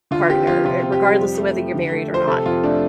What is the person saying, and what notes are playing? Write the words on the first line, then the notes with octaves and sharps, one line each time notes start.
partner, uh, regardless of whether you're married or not,
D3 F4
C4 G4
F3 F4
C3 F4
C4
G4
G3
F2
A3
F3
D3
A3
F3 C5
C3 A4
F2 F4
A3 D4